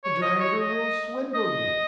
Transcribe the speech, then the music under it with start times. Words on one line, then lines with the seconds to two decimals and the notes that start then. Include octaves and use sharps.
"The driver will swindle you."
0.04 C#5
0.22 D#5
0.40 C#5
0.60 D#5
1.34 D#5